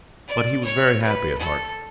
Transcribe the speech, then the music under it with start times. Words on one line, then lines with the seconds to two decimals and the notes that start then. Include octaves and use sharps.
But he was very happy at heart.
0.28 D5
0.64 C#5
1.01 B4
1.38 A4